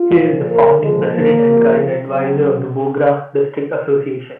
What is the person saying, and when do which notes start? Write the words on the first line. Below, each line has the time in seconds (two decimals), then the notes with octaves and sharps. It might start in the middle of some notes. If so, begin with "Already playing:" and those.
He is the founding president and current advisor of the Bogra District Association.
Already playing: F4
0.18 A#2 F3
0.49 A#3
0.81 A#2 F3 G#3
1.13 A#3
1.45 C3 F3
2.08 C#3 F#3 C4